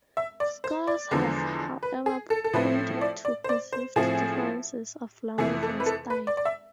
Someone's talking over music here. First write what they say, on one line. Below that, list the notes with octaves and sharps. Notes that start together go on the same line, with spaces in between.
Scholars have however pointed to perceived differences of language and style.
E5
D5
C5
D5
E2 D3 F3 G#3 B3
B4
G#4
A4
A4
A2 F3 A3 C4 B4
D5
D5
C5
D5
C5
A2 F3 A3 C4 G#4
F2 C3 E3 A3 G#4
A4
B4
A4
B4
D5
D5
E5